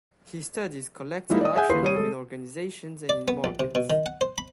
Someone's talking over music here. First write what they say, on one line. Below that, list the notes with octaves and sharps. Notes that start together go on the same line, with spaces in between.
He studies collective action within organizations and in markets.
F3 G3 G#3 A#3 D#4 E4
D5 D#5 D#6
G#4 E5 F#5 G#5 G6
D#2 E4 B4 C6 C7
G3 C#5 D#7
G#3 A4
D5
B3
A#1
C3
B2
D#3
F#5
C5
B5